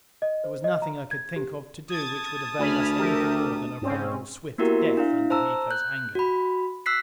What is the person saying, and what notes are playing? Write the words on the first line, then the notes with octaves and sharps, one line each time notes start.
There was nothing I could think of to do which would avail us anything more than a probable swift death under Miko's anger.
D#5
C5
D#5
A#5
G#6
G4
A5 D#6 G#6 A6
D2 G#5 B5 F6
G4 A#4 E5
G#2 C4 C#4
A#3 B3 E4 F#4 G4 A#4
D4 E4 F5
C5 A5 A#5 E6
F#6 G6
F#4 B5
E6 F#6 B6 C7